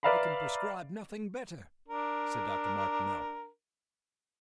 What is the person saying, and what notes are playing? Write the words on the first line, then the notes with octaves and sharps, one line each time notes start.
"I can prescribe nothing better," said Dr. Martineau.
B4 D5 E5 F5 A#5 B5
D4 A#4